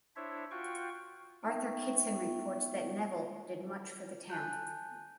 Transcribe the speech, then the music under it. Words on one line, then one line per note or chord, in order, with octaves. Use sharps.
Arthur Kidson reports that Neville "did much for the town".
D4 E4 C5 C#5 E5
F4 F#4 G5 C#6
A#3 B3 D#4 E5 G5 C#6
G#5 A5 F#6 G6